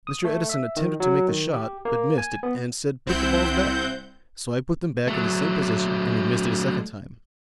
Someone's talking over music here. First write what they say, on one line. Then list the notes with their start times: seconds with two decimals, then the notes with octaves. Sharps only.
Mr. Edison attempted to make the shot, but missed it and said 'Put the balls back.' So I put them back in the same position and he missed it the second time.
0.07 D#6
0.25 A3
0.50 E5
0.77 D#3
1.00 F#3
1.28 D#3
1.53 G4
1.85 A#3
2.18 G#5
2.43 B3
3.06 C2 C4 E4 F#5 G6
5.07 F#3 A3